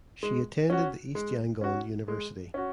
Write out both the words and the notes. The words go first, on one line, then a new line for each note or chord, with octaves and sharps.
She attended the East Yangon University.
G#3
C#4 F#4
G#3
C#4 F#4
G#3
C#4 F#4